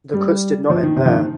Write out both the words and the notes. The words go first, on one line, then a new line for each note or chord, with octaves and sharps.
The cuts did not end there.
G3
F3
D#3
C3
F3
D#3